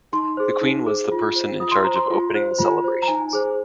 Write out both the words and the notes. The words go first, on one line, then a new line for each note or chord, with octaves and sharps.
The queen was the person in charge of opening the celebrations.
D#4 C6
G#4 C5
D#4
G#4 C5
F4
C5
F4 D#6
C6
C5 A#5
C6
F4
C5
F4
C5
A#5
D#4 G#5
G#4 C5